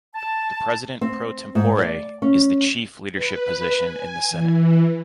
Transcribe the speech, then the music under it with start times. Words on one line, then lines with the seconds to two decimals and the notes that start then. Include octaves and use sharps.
The President pro tempore is the chief leadership position in the Senate.
0.15 A5
1.01 C4
1.55 G#2
1.78 D5
2.22 C#4
3.12 B4
3.80 G#5
4.30 E3